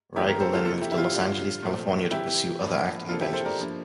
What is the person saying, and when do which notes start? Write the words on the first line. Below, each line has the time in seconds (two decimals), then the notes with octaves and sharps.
Riegel then moved to Los Angeles, California to pursue other acting ventures.
0.16 E2 D3 A3 C4 E4 G4
0.28 G4 A#4
0.40 A4 C5
0.53 F4 A4
0.65 F2 C3 E3 A#3 F4 A4
0.81 E4 G4
0.92 E4
0.98 F4
1.14 D3 G3 D4
1.63 A#2 F3 A3 C4
2.11 C3 E3 G3 E4 G4
2.60 A2 F3 A#3 D4
3.09 C3 F3 A#3 D4 F4 A4
3.20 E4 G4
3.33 A4 C5
3.45 A#4 D5
3.58 G2 F3 A#3